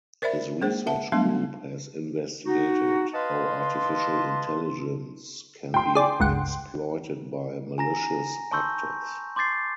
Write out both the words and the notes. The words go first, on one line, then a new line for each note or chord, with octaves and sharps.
His research group has investigated how artificial intelligence can be exploited by malicious actors.
A#4 C5 D5 E5 B5
G#3 A#3 G#4 C5
E5 F#5 A5
F#3 G3 A3 B3 D4
D#4 F#4
B4 D#5 F5 A5 C6
G5 C6
G#4 D5
G1 C#2 F#5
G#5 A#5 A#6
A5 C6 C#6 E6 G6
C6 D6 G6 A6 C7